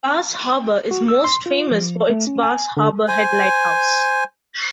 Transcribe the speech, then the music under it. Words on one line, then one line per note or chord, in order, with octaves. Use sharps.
Bass Harbor is most famous for its Bass Harbor Head Lighthouse.
F#4
E6
C6
F4
F3
A3
C#4
G#5
D3
C5 G#5